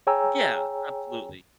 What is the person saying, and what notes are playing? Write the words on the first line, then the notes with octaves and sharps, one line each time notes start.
Yeah, absolutely.
G#4 C#5 G5 G#5 A#5 E6